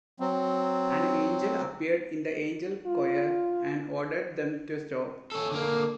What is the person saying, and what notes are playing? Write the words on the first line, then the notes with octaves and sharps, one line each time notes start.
An angel appeared in the Angel Choir and ordered them to stop.
F#3 C4
F4
C#4 A4
D3 A#3